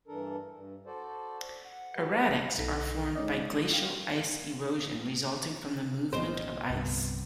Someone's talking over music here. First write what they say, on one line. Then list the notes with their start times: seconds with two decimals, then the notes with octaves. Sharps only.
Erratics are formed by glacial ice erosion resulting from the movement of ice.
0.07 G2 E3 D4 A4 A#4
0.52 G2
0.86 F#4 A4 C5 D5
1.65 F#5
1.95 C#3 F#3 G4 B4
2.58 B1 D#4 A4 A#6 B6
3.15 G#3 C#4 D#4 D5 D#5
3.73 F5 G5
6.13 B1 A#2 F4 C5 D#5 G5
6.70 G1 C2 G2 B3